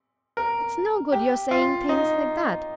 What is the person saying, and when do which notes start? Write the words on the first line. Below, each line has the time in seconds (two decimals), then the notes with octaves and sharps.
It's no good your saying things like that.
0.37 A#4
1.12 G4
1.51 F4
1.89 D#4